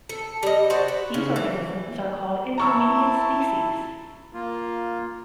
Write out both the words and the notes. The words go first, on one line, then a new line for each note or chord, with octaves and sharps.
These organisms are called intermediate species.
A4
G3 D#5
F#4 C5 D5 D#5
B4
C#3
E3
E4 A5 A#5 C#6 E6
A#3 F4